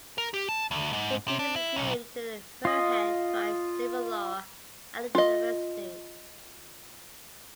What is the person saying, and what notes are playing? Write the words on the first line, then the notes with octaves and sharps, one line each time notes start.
He gives his name to the Muirhead Prize in Civil Law at the University.
A#4
G4
A5
D2
G#2
C3
D4
E4
B1
F4 D#5
F4 D#5